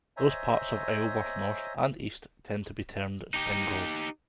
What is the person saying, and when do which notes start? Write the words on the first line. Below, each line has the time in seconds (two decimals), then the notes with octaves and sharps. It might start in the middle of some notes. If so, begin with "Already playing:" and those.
Those parts of Isleworth north and east tend to be termed Spring Grove.
0.17 C5 C#5 D#5 E5 G#5 A#5
3.34 D#4 G4